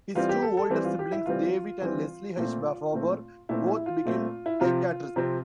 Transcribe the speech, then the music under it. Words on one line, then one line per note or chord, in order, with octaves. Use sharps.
His two older siblings, David and Leslie H. Farber, both became psychiatrists.
E3 G3 C4 F4
G4
A4
A4
E3 G3 C4
F4
G4
E4
E3 G3 C4 F4
E3 G3 C4
A#2 A3 C4 F4
A#2 A3 C4
A#2 A3 C4 E4
E4
F4
A#2 A3 C4
E4
C3 F3 C4 F4
C3 F3 C4